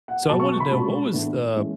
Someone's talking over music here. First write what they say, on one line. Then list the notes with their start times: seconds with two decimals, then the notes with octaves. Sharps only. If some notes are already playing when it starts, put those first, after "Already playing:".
So I want to know what was the
0.08 F#5
0.29 B2 F#3 B3 A5
0.40 C#6
0.50 C#6
0.60 B5
0.71 B2 G#3 C#4 A5
1.12 A2 E3 B3 D4
1.54 E3 G#3 C#4